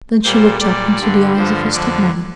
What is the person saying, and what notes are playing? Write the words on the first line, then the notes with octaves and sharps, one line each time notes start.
Then she looked up into the eyes of her step-mother.
A#2 G3 C5
A#2 G3 D5
G2 D3 G3
G2 D3 F3 C5
F2 D3 F3 D5